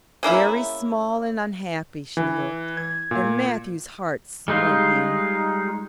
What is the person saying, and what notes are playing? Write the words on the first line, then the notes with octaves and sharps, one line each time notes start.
Very small and unhappy she looked, and Matthew's heart smote him.
C#3 A#3 E4 E5
E3
G#6
A#2
G3 G#3 D#4 F4